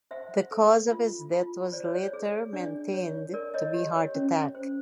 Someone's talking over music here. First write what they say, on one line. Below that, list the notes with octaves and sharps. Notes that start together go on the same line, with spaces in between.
The cause of his death was later maintained to be heart attack.
C5 E5 F#5
A4
F4
F4
C5 D5
C#5
D5
G#4
D4 D5
C#5
A#4 D5
C#5 D#5
G4
C#5
C#4
C5